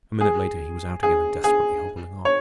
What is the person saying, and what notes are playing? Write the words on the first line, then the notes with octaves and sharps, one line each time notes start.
A minute later he was out again and desperately hobbling on.
G#4
G#4
G#4
C#5